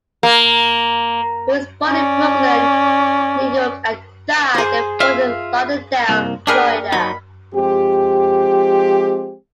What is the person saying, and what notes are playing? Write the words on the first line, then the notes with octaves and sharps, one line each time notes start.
He was born in Brooklyn, New York and died in Fort Lauderdale, Florida.
A#3
C#4 D5
G#4 C5
F4 E5 F5
C2 A#3
G3 A#3 D4 G#4 A#4 B4
F#3 D#4 B5
F3 G#3 C4 G4